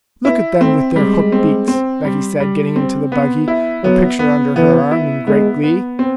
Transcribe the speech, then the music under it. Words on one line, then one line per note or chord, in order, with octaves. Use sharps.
"Look at them with their hooked beaks," Becky said, getting into the buggy, her picture under her arm, in great glee.
B3 E4
A3 C4
G3 G#3
C4
C4
G3
G3
C4
B3
E4
F#3 B3
B3
E3 B3
E4
G#3 B3
B3
C4